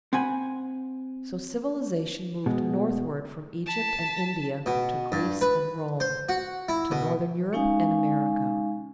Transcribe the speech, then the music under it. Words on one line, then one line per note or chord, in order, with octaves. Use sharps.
So civilization moved northward from Egypt and India to Greece and Rome, to northern Europe and America.
C4 F#5 G#5 B5
B2 G#3
A5 B6
B2
G2
B4
C5
F#4
E4
B2
G#3 C#4 D#4 F5 G#5